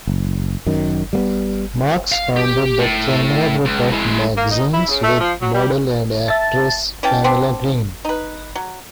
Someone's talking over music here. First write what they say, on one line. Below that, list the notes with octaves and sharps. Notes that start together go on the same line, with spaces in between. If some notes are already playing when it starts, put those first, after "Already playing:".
Marks founded the Kamera group of magazines with model and actress Pamela Green.
F#1
F#2 D#3
G3 A#3 B3
F5
G4
A2
C#2
G#3 E4
A#3
D#4
E4
C#3
A3
F3
F#3
G3
E5 A5 A6
E3 C#4 G5 A5
B3 C4 D4
D#4 B4
F#3